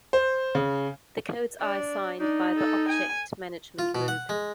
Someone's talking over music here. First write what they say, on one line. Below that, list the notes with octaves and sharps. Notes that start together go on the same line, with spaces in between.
The codes are assigned by the Object Management Group.
C5
C#3
D4
D4 D#4
A4
G#5
F4
B2
F#5
G#3